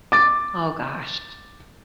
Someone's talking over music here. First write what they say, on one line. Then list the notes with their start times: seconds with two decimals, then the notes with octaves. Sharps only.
Oh, gosh.
0.12 D6 A6